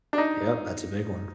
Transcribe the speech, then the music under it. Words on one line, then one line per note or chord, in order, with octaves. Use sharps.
Yep, that's a big one.
D4
D#4